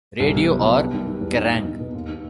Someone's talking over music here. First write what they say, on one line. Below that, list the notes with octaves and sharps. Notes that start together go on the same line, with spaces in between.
Radio or Kerrang!
C2
B2
F#3
B3
G3
D#3
D#3
E2
D#4
B2
D#4
B2
D#2
D#3